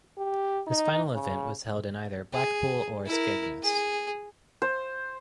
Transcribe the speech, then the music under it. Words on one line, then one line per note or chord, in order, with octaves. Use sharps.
This final event was held in either Blackpool or Skegness.
G4
D#4
C#3
G#4
E4 A#4
G#4
C5